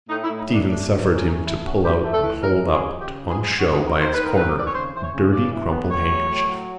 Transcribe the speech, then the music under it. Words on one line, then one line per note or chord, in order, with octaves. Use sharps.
Stephen suffered him to pull out and hold up on show by its corner a dirty crumpled handkerchief.
A2 D#4
E4
A2
D#4
F#3 D4
A3 D4
F#3
C#4
E3 D#4
A3 E4
C#4 F#4
E3 G4
A3
A4
E3
G#3 A#4
C#3
G#4
F3
C#3 G4
F3
G#4
G#3
C4 F#4
G#4
D#3
A#4
D#3
C5
D#3 B4
A#4
C4 B4
D#3 D5
C#5
C#3 C5
E3 C5
C#5
C#3
C#3 D5
E3
B3
A2 C#5
F#3
A2
F#3